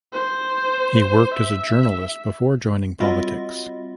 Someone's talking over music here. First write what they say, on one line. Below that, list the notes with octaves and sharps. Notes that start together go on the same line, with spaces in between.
He worked as journalist before joining politics.
C5
E5
G3 C4 F4 F#4 D#5 E5